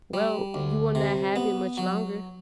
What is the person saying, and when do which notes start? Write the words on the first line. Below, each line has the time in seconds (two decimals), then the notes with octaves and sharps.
"Well, you will not have it much longer."
0.14 G3
0.54 D2
0.95 C3
1.36 B3
1.78 F#3